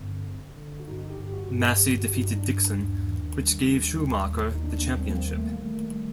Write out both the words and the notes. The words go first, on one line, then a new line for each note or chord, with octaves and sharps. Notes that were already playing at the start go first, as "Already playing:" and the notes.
Massey defeated Dixon, which gave Schumacher the championship.
Already playing: G2 D3 C4
G1
D3
F#4
G1 D#4
G4
G1
F#4
G2
G4
G1
G4
F#4
G2 D#4
D4
G2
D#2
D#3
G3
D#2
D#2
D#2
D#4
D#2 D4
A#3
C4
G3
C4
A#3
D#3
A3
A#3
D#3 A3
G3